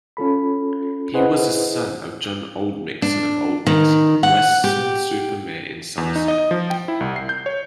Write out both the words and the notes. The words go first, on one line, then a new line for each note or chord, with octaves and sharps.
He was a son of John Oldmixon of Oldmixon, Weston-super-Mare in Somerset.
C#4 F4 A4 B5
E4 G#4 B4 C5 D#5 F#5
D4
D#3
F#5
G4
E2
D#4
D#5
F3
G5
E4
C2
C7
G6
C#5